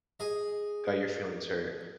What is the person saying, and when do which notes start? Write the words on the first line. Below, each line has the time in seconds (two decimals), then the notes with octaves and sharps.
got your feelings hurt,"
0.20 G#4 D#5